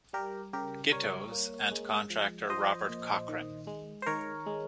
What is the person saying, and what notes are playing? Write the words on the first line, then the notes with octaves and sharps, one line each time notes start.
Gittos, and contractor Robert Cochrane.
G3 G4 A#4
C#3 G4 A#4
G3 A#4 C#5
A#3
G#3
F3
F3 C5 D#5
A#2
D#3
G#3
C5
D#3 A#4 C#5
G#3